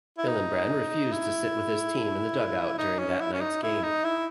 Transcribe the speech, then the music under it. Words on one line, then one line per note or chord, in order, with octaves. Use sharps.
Hillenbrand refused to sit with his team in the dugout during that night's game.
E4
D#4
E4
D#4
C#4
E4
C#4
D#4
E4
D#4
E4